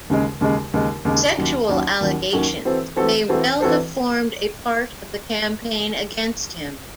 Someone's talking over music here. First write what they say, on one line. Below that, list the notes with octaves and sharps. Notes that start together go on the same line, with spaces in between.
Sexual allegations may well have formed a part of the campaign against him.
D#2 C#3 G#3
D#2 C#3 G#3
D#2 C#3 G#3
D#2 C#3 G#3
D#2 D#3 F#3 C#4
D#2 D#3 F#3 C#4
D#2 D#3 F#3 C#4
D#2 D#3 F#3 C#4
E3 C4 F#4 A4 C5
E3 C4 F#4 A4 C5
E3 C4 F#4 A4 C5
E3 C4 F#4 A4 C5